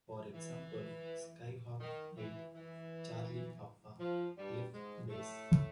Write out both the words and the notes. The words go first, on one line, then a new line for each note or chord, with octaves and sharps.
For example, "Skyhawk eight-Charlie-Papa, left base".
E3
D#3
E3
E3
F3
G2 G3
G#2 G#3
A2 A3